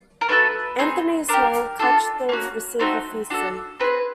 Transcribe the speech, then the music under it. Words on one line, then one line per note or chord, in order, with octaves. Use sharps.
Anthony's hand clutched the receiver fiercely.
A#4
A3 D4 F#4 A4 B4
C4 D#4 G#4
D4 G4 A#4
D4 F4 A4
A#3 C#4 F#4
A3 C4 D#4 F#4
D4 F#4 A4
C4 D#4 G#4 B4